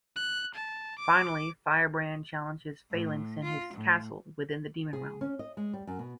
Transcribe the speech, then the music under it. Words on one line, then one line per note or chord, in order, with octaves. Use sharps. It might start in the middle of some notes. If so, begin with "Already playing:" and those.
Finally, Firebrand challenges Phalanx in his castle within the Demon Realm.
F#6
A5
D6
A2
F4
A2
G#4
C#4
D#5
G#3
G3
F#2
B2